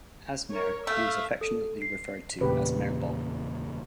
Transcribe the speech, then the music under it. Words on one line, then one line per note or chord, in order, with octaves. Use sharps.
As mayor, he was affectionately referred to as Mayor Bob.
A#4 C#5
A3 E5 F5
A4
C7
E2 A#2 C#3 G4 B4